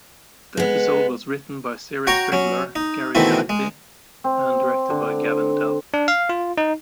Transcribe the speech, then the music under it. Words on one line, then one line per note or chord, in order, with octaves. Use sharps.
The episode was written by series regular Gary Janetti, and directed by Gavin Dell.
G#3 B3
F#4 C#5 G5 A#5 C#6
F#3 C#4
D#4
B2 D#3 E3 A3 C4 E4
G#3
C4
D3
D4
F5
F4
D#4